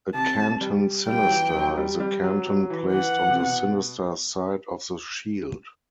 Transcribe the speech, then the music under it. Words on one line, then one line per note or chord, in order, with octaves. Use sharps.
A "canton sinister" is a canton placed on the sinister side of the shield.
C3 A5
G3
G3 G5
F#3
E3
F#3
G3
G3
F#3
F#3
E3
E3 F#5
C3
B2